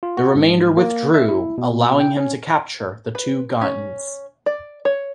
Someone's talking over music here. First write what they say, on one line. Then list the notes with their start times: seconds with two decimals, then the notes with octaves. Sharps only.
The remainder withdrew, allowing him to capture the two guns.
0.03 F4
0.17 F#4
0.36 G#2
0.77 A#3
1.14 E5
1.28 E4
1.58 B2
2.00 G5
2.17 C#4
3.15 B4
3.61 C#4
4.46 D5
4.85 C#5